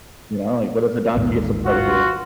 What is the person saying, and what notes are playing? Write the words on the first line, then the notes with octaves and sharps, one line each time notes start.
You know, like, what if the donkey gets upset with you?
A1 D#2 G#2
F4 F#4